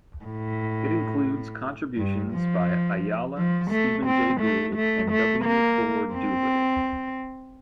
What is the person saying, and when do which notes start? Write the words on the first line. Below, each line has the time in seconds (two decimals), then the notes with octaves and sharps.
It includes contributions by Ayala, Stephen Jay Gould, and W. Ford Doolittle.
0.24 A2
1.98 G2
2.33 F3
3.37 F3
3.71 A3
4.06 C4
4.41 A3
4.75 A3
5.11 A3
5.44 A#3
6.14 C4